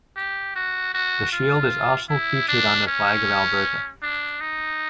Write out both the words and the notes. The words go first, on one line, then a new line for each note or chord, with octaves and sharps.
The shield is also featured on the flag of Alberta.
G4
F#4
F#4
F4
E4
D4
C#4
D4
D#4